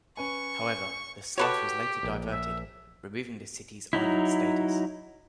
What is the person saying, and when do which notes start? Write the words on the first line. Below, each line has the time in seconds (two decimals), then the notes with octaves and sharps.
However, the slough was later diverted, removing the city's island status.
0.17 C#4 B4 G#5 C#6
1.38 F#4 G4 A4 B4 C#5
2.03 A#1
2.32 E5
3.93 F#3 D#4 E4